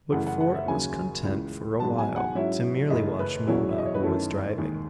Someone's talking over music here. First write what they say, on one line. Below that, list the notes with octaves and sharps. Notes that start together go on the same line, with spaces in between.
But Fort was content for a while to merely watch Mona, who was driving.
F#2 C#3 E3 A3 F#5
F#5
F#5
E5
D#2 C#3 F#3 G#5
C#2 C#3 E3
G#2 F#3 B3 A5
G#5
F#5
G#2 F#3 C#4 E4 E5
F#2 C#3 E3 A3 D#5
B4
E2 B2 F#3 C#4 E4 G#4
E5
D#5
C#5
B4
F#2 D#3 A3 C#4 E4 A4
D#2 D#3 G#3 G#4